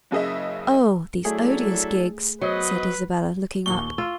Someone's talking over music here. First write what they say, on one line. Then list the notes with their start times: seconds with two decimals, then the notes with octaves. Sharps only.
"Oh, these odious gigs!" said Isabella, looking up.
0.11 F#1 C#3 G#4 D#5 E5
1.25 F#3 A3 D4 E4 G#4 A4
2.41 F#3 B3 B4 C5 D#5
3.66 D#2 A#2 C#6 G7
3.98 F4 E6